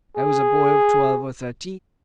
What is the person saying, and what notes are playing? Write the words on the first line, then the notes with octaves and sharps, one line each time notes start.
I was a boy of twelve or thirteen.
G#4